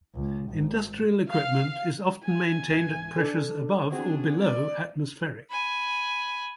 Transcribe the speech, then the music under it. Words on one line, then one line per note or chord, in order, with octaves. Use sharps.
Industrial equipment is often maintained at pressures above or below atmospheric.
C#2
G#1
F5
G#5
C#2 G#2 E3
D4 A4
C4 D4 F#4 G#4
D5
G#5 B5